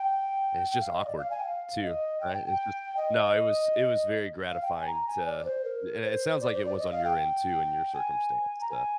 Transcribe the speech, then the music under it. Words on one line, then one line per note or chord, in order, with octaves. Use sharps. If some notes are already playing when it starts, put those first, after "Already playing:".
It's just awkward too. Right? It's just No, it was it was very gratifying to eh, and it sounds like it was on your end too in your circumstance, uh.
Already playing: G5
G5
F5
D#5
D5
F5
G#5
G5
F5
D#5
G5
G5
G5
D#5
F5
G5
G#5
A#5
G#5
D5
D5
C5
A#4
C5
D5
C5
D5
D#5
F5
G5
G#5
A#5
G#5